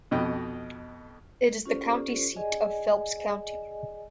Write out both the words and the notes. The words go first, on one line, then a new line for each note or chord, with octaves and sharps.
It is the county seat of Phelps County.
F2 B2 D#5 G5
C#4 F4 G4 A4 C5 D5
G#4 D5 D#5 G#5